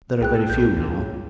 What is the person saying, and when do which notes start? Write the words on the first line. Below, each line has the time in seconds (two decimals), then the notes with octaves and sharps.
There are very few now.
0.21 C2 G#4 G5 F#6
0.35 A4
0.50 A#1 G6
0.76 C#2